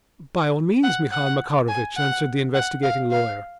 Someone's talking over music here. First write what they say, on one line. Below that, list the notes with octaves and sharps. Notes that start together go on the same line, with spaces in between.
"By all means, Mihail Makarovitch," answered the investigating lawyer.
F#5
F#5
G#5
F#5
F#5
F5
F5